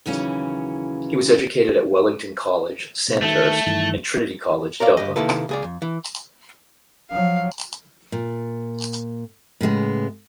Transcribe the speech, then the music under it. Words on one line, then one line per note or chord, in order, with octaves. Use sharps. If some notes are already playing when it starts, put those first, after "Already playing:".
He was educated at Wellington College, Sandhurst and Trinity College, Dublin.
D#2 C#3 E3 F#3 C#4
B2
D#3 A3 A4
G2 D#3 E3
A#4 C#5 D5 F5
G2 G4 D#5
C3 D#3 A#3 E4 A4 B4
C#2 G#4 D5
F2
E3
F3 F#3 F5
A#2
A2 C#3 G#3 B3